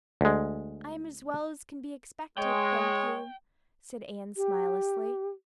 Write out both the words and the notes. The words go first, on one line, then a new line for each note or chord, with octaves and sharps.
"I'm as well as can be expected, thank you," said Anne smilelessly.
D2 G#3
G#3 C#5 G5
G4